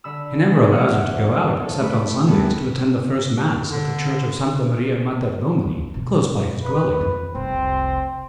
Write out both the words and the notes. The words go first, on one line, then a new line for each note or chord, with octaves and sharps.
He never allows her to go out except on Sundays to attend the first mass at the Church of Santa Maria Mater Domini, close by his dwelling.
D3 B5 E6
F#3 G#3 D4 D#4
D2 E3 D4 F#4 F#5 F6
F4 A4
A3 B5
E3 G3 B3 C#4 A4 B4
D3
B2 D#3
B4
F2 D#4
F1 C2 C4